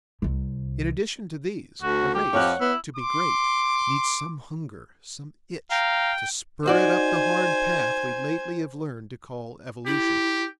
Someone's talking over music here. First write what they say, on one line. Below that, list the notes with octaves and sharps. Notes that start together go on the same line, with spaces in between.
In addition to these, a race, to be great, needs some hunger, some itch, to spur it up the hard path we lately have learned to call evolution.
C2 C3
D2 F#4
G4
F2 C#5 F#5
B3 E4
C6 D6
F5 G5 A#5
D#4 F#4 C5 D5 G#5 G#6
E4 G4